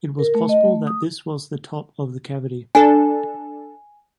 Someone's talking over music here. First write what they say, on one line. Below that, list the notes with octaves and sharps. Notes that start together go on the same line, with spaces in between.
It was possible that this was the top of the cavity.
A#4
A3
D#5
A3
D#6
D4 A4 G#5